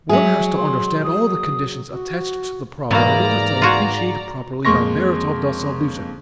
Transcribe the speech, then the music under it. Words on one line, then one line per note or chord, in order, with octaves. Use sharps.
One has to understand all the conditions attached to the problem in order to appreciate properly the merit of the solution.
F#3 G#3 G#4 E5
C6
D#6
F#4
E2 G#2 F#3 A#3 B3 D5 A#5
F4 F#4 G#5
F2 G#3 A#3 C6 C#6 A#6